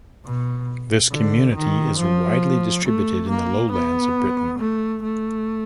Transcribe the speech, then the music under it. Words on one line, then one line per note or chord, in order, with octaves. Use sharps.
This community is widely distributed in the lowlands of Britain.
B2
D3
D#3
F3
A3
A#3
B3
A3
A3